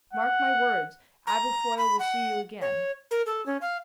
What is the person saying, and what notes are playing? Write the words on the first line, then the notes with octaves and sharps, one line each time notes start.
"Mark my words, Aberfoyle will see you again!"
F#5
A#5
B5
F#5
C#5
A#4
A4
C#4
F5